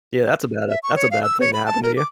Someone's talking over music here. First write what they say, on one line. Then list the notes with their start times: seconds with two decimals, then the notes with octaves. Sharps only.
Yeah, that's a bad that's a bad thing to happen to you.
0.69 E5
0.83 C#6
0.96 C#5
1.11 F5
1.23 E6
1.41 C#5
1.53 B5
1.66 A5
1.83 A#4
1.97 D6